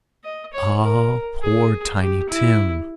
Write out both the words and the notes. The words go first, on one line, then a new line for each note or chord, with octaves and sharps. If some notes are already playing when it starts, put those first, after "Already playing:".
Ah, poor Tiny Tim!
D#5
C#5
A#4
G#4
G4
E4